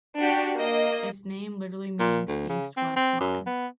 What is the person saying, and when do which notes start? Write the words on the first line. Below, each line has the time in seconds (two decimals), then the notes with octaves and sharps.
Its name literally means "East-West Line".
0.18 D4 F#4 G4
0.57 A#3 D#5
2.00 A#2
2.28 D2
2.49 C#3
2.77 C4
2.96 C4
3.20 F#2
3.47 B3